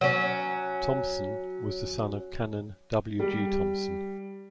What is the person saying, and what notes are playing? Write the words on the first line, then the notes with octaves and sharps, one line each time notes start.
Thompson was the son of Canon W. G. Thompson.
F#3 C#4
G3